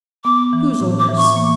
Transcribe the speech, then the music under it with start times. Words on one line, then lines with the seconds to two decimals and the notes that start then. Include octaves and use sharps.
"Whose orders?"
0.24 B3 D6
0.53 E3
0.80 A2
0.99 D6
1.09 E3
1.17 C#6
1.36 A#3